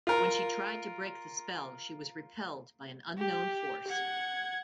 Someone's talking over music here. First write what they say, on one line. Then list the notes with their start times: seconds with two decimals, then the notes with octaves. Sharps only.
When she tried to break the spell, she was repelled by an unknown force.
0.07 F4 A#4
3.18 G4
3.88 F#5 G#6